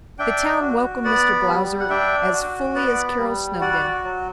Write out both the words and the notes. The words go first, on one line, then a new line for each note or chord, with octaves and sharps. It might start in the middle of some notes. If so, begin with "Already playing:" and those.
The town welcomed Mr. Blausser as fully as Carol snubbed him.
D4 E5 G5
F#4
B3 D5 F#5
G3
F#5
D4 E5 G5
F#4
B3 D5 F#5
G3
F#4 D5 F#5
F#3